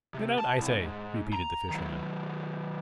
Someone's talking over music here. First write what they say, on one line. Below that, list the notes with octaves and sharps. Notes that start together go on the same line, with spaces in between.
"Get out, I say!" repeated the Fisherman.
C3
A5
C2
G#2
A#5
D#3 F#3